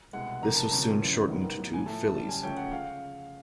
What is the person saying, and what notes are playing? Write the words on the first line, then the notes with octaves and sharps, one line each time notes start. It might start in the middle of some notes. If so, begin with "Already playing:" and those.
This was soon shortened to "Phillies".
C2 B2 G#3 F#5
F2 C3 D#3 A#5
A5
D2 C3 F3 A#3 C#4 A#5
F#2 C#3 E3
G#2 D#3 G3 B3
A2 F#3 B3
G#5
A2 F3 A3 A5
F#1 F#2 D3 G3 A5
G#5
C#2 C#3 F3 A3 C#4 G5
F#5
C#3 F5